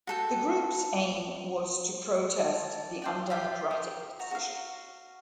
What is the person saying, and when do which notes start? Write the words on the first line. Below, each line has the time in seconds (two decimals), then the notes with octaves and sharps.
The group's aim was to protest the undemocratic decision.
0.07 F#4 A4 G5
2.36 D5 A5
3.02 D5 G5 C6
3.30 F4 G4 E5 F5
3.71 G4
4.19 F#4 A#5
4.31 F#4 F5